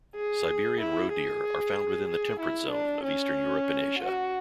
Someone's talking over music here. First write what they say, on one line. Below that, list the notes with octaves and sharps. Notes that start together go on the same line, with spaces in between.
Siberian roe deer are found within the temperate zone of eastern Europe and Asia.
G#4
E4
G#4
G#4
E4
D4
C#4
F#4